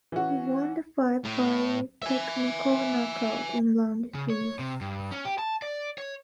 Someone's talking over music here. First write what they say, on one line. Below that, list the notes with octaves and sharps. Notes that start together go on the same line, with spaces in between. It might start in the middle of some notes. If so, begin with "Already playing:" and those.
He won the fight via technical knockout in round three.
E3 C#4 F#4
A2
E5 G#5
C#3
C#5
C3
G2
C#4
G4
A5
D5
C#5